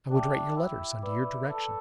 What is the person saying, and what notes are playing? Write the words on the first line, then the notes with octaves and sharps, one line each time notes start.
I would write your letters, under your direction.
D4 G4 E5 G5 D6
E4
E4 B4 D5 B5 D6
A4